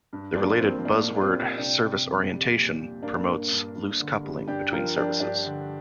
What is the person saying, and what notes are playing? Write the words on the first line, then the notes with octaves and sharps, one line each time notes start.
The related buzzword service-orientation promotes "loose coupling" between services.
G2
F3 A#3 D4
F3 C4
C4
A#2 A#3 D4
A#2
D4
C4 F4
G3
C3 D4 G4
C3
F2
G3
A#2
A#2
G2 A#3 D4
G2
G2
G2
D3
G3
G2 D4 G4
F3 F4 A#4
F3 D4 G4
G2 D4 G4
D3